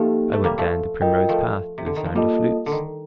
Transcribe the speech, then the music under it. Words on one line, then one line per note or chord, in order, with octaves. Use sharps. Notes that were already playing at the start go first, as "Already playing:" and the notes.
I went down the primrose path to the sound of flutes.
Already playing: F3 A3 A#3 D#4 G4
A3
G3 A#3
F3 A3
F4 A#4 D#5 G5
F3 A3
C3
D3
D#3
F3
G3 A#3 F4 A4 D#5 A5
D3
D#3